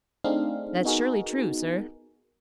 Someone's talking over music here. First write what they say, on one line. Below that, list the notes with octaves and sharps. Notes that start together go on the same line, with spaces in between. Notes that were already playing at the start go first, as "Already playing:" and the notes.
"That's surely true, sir."
A3 C4 D4 D#4 G#4 F5
B3 D#4 F#4 G#4 A#4